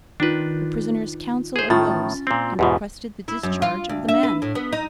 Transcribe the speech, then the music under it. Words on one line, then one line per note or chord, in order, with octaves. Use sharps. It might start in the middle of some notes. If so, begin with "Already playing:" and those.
The prisoner's counsel arose and requested the discharge of the man.
D#3 D4 D#4 F4 B4
G#4 C5
A2 D#3 C#4 F4 A6
A#2 C4
E2 G#2 B2 F4 G4
E4
F#2
F4
D2
E5
B4
A2
B3
D#4